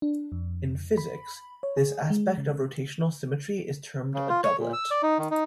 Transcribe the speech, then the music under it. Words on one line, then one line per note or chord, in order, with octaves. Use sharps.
In physics, this aspect of rotational symmetry is termed a doublet.
D4
F2
B5
C#5
G#4
G#3
C#3
C#3
F4
C#5
A#2
E6
D5
D#4
D#3
D#4